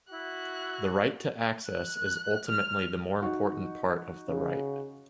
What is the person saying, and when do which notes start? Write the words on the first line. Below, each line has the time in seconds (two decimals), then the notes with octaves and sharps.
The right to access is ultimately the more important part of the right.
0.10 E4 F#4 F#6
1.67 F#6
2.48 F6
3.22 D#4 F#4
4.29 C#3